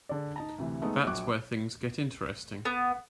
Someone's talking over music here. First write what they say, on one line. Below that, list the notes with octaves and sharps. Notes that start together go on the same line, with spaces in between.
That's where things get interesting.
D3 G#4 D5
D#4 A5 A#5
D2 C3 E3
G#3 A3 B3 D#4
A#1 F#3 C#6 D6 F#6
B3